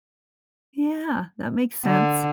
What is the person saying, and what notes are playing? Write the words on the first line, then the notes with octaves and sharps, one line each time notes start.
Yeah. That makes sense.
D3